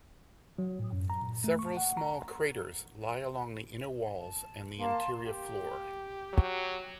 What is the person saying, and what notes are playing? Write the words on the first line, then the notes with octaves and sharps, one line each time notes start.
Several small craters lie along the inner walls and the interior floor.
F#3
A2
F#2
A#5
A#2
A3
C#6
F#5
A#5
A5
A#3 F5 A5 C6
G4
F#3